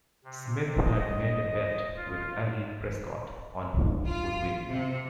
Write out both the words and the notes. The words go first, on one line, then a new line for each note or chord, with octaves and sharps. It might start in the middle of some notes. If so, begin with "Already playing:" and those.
Smith had made a bet with Allie Prescott on who would win.
C3
D#5
F4
F4
C3